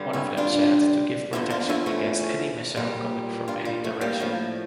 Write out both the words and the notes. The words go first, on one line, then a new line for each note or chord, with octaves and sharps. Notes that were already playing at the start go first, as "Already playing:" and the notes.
One of them said to give protection against any missile coming from any direction.
Already playing: G2 D3 G3
C#4 E4
D4 F4
E2 D3 F3 E4 G4
D4 F4
C#4 E4
A3 C#4
A#2 G3
D4 F4
G3
A3
G3 A#3
A2 F3